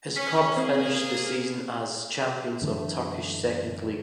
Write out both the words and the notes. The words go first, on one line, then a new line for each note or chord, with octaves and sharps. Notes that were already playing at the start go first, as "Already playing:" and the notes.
His club finished the season as champions of Turkish Second League.
C#4 B6
A#3 C4 G#4 C5
F#2 D3 E3 A3